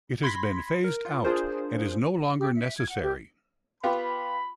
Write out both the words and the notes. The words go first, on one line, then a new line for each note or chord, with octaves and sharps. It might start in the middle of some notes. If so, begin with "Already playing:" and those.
It has been phased out and is no longer necessary.
B5 C6 G#6 A#6 B6
A#4
F4
D4 F4 G#4 A#4 C5
G4
E5
G#6
F#5
G4
B3 F4 G4 B5